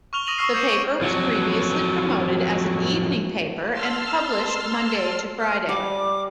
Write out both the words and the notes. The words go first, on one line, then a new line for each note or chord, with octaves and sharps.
The paper was previously promoted as an evening paper and published Monday to Friday.
C#6 F6 F7 G7
D#6 A#6 D#7 F7 F#7
C#6 E6 F6 C7
D6 G6 G#6 C7 C#7 E7
D7
F2 F#3
A5 C6 E6 F6
F6
G3 D6